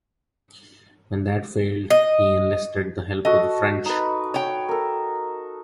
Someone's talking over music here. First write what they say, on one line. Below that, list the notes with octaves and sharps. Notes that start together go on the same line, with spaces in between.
When that failed, he enlisted the help of the French.
D#5
F#4 A4 D#5 A5
D#4 B4
C#5 G5
A4 A#4